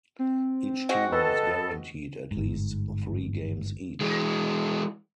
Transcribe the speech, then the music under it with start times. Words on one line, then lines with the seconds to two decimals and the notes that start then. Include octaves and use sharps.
Each team was guaranteed at least three games each.
0.19 C4
0.89 G#3 C4 F#4 D#5 F#5
1.12 A4 B4 D#5 E6
2.31 G1 G#2
4.01 E3 G#3